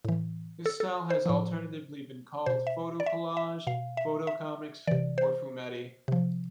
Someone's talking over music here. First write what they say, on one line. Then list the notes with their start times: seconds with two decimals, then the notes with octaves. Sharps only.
This style has alternately been called photocollage, photocomics or fumetti.
0.05 A2 E3
0.66 A4
0.80 A4
1.10 C5
1.26 A2 F3
2.46 B2 C5
2.67 E5
3.00 D5
3.06 E5
3.37 E5
3.67 B2 F5
3.97 E5
4.27 E5
4.87 C3 E3 D5
5.18 C5
6.08 C3 F3